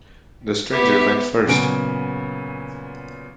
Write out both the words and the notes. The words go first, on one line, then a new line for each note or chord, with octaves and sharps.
The stranger went first.
B3 G4 E5
A#2 C#3 F#3 B3 G#5 D7